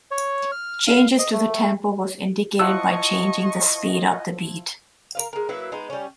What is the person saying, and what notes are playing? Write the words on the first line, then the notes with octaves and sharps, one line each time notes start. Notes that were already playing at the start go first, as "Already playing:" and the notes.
Changes to the tempo are indicated by changing the speed of the beat.
C#5
F6
F5
D#5
A3
F3 E4 D#5 F#5 C#6 E6
A#4 B4 F5
G#3 A#4
F#3 A#3 E4 B4
G#3 B3 D#4
G3 C#4